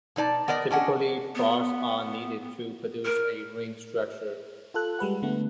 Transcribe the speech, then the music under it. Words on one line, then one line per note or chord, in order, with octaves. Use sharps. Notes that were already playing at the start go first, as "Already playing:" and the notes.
Typically, bars are needed to produce a ring structure.
B2 D#4 D5 A5
B3 A#4 D5 D#5
C#4 D4 D#5 F#5
B3
A#4
F4 A4 F#6
G3 G#3 B4 F#5
D3 A3 B3